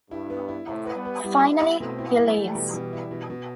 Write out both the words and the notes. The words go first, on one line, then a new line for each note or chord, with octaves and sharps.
Finally he leaves.
G2 E4
B3
E4
A2 C3 E4
B4
G3 B3
B4
G3 B3 E4
E4
G3 B3
E4
B2 A3 C4
E4
G3 B3
E4
E3 G3 A3
B2
B2
E4
B2
B2